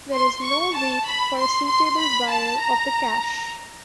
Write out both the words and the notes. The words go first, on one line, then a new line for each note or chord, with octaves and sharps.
There is no wait for a suitable buyer of the cash.
C6
C#6
A5
B5
C6
C6
B5
A5
A#5